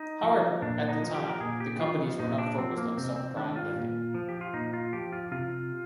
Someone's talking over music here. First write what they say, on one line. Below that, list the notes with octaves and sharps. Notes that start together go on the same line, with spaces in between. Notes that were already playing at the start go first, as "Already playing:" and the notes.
However, at that time, the companies were not focused on subprime lending.
Already playing: D#4
F3
A#2 D4
D#4
F3
G4
A#4
A#2 G#4
G4
F3 F4
A#2 D#4
D4
F3 C4
A#3
C3 C4
C4
D#3 D4
F4
A#2
F3
G4
F4
A#2 D#4
F4
F3 G4
F4
C3 F4